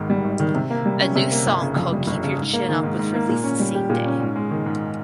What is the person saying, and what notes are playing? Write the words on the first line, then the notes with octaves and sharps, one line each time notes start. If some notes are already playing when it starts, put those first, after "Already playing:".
A new song called "Keep Your Chin Up" was released the same day.
Already playing: G#1 G#2 D#3
G3
G#1
D#3
C3
A#3
G3
C#4
C3
A#3
G1
C#3
F2
G3
G1
C#3
G#2
A#3
D#3
G#2
G#2
A#3
A#2
C#4
G3
G4
A#2
C#4
G#2
G#3
D#3
G#2